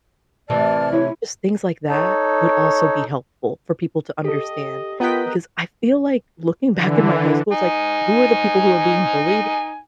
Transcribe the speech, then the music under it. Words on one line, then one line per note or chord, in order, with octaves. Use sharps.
just things like that would also be helpful for people to understand, because I feel like, looking back in my high school, it's like, who are the people who are being bullied?
A2 C3 E3 D5 A5 F6
E4 C#5
D#4 A4 C#5
G4 A4 D#5
B3 F4 A#4 D#5 G5 A#5 F#6 B6
D3 E3
D#4 G#5